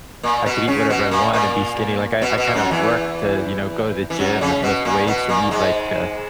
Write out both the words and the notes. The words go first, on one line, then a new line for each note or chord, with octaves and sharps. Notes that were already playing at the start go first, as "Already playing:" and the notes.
I could eat whatever I want and be skinny, like, I I kinda worked to, you know, go to the gym and lift weights and eat, like, uh,
A#2 A#3
B2 B3
C#3 C#4
B2 B3
A#2 A#3
A#2 A#3
B2 B3
B2 B3
F#2 F#3
E2 E3
E3
F#2 F#3
C#3 C#4
B2 B3
A#2 A#3
B2 B3
A#2 A#3
G#2 G#3